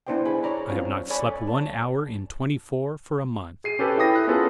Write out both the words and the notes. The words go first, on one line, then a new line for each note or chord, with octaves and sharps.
I have not slept one hour in twenty-four for a month.
B3 D4 E4 C5 D5 G5
G#4 G#5 B5
C#5 D5 A#5 B5
C4 C#4 F4
A4 C#5 D5 G#5 B5
A5
G#4 C7 D#7
C#4 G4 A4 B4
E4 G5 D#6 A#6
F#6
B3 C#4 F4 G#4 A4 B4